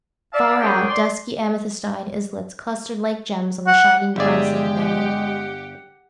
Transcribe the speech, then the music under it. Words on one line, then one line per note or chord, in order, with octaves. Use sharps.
Far out dusky amethystine islets clustered like gems on the shining breast of the bay.
D5 E5 F5 A5
F#2 C#3 D4 G#4 F#5 G5
D5 C6
F#5
G1 G#3 G4 G#4 D5 E5
F#5